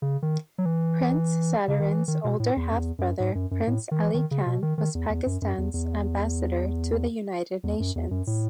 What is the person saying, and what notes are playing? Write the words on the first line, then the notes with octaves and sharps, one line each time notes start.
Prince Sadruddin's older half-brother, Prince Aly Khan, was Pakistan's Ambassador to the United Nations.
C#3
D#3
F#3
E3
C#3
D#3
E3
D#3
B2
A2
E2
F#2
E2
F#2
G#2
F#2
F#2
A2
D#3
E3
D#3
C#3
B2
D#3
D#3
E2
E2
F#2
F#2
E2
E2
E2
F#2
E2
F#2
A2